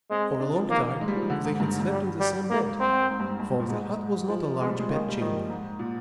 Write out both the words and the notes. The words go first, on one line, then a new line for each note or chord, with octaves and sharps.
For a long time they had slept in the same bed, for the hut was not a large bedchamber.
G#3 C4
D4
F3
D#3 A#3
G#3
G3
F3
D#3
D3
G#2
G2
G#2
G2
G3
G3
G#2 A#3
C4
G#2
G2
G#2
G2
A#2
G#2 G#3
F3
G#3
G3
G#3
D#3 A#3
G#3
G3
D#3 F3
G#2
A#2